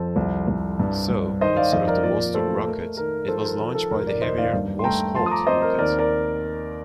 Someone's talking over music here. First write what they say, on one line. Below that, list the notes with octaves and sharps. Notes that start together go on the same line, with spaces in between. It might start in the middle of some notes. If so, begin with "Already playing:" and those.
So, instead of the Vostok rocket, it was launched by the heavier Voskhod rocket.
Already playing: F2 A4 C5
C2
C2
G2
G2
D#3 C5 D#5
D5 F5
F2 C5 D#5
A#4 D5
A#2 A#4 D5
A3 A4 C5
A3 A#4
D#3 A#4
F3 A4 C5
A#4
F3 A#4
A4
F1 A#4
A#4 D5
D#2 C5 D#5
D5 F5
G2
C6
A3 G5 A#5
F3 A5 C6
D#6
A#5 D6
C4 C5 D#5
A#4
D#2 A#4 D5
A#4 D5